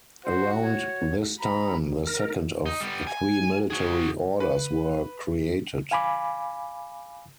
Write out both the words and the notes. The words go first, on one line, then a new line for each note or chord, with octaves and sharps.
Around this time, the second of three military orders were created.
F#4 C5
C#5
A#5 B5
A#4
D#4
G3 B3
G#5
F#4 G#4
B4
F5 G#5 B5 D6